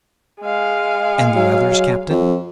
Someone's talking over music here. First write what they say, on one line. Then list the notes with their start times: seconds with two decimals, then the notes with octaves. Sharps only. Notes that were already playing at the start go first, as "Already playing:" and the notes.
"And the others, captain?"
0.41 G#3 F5
1.36 F#3
2.10 F2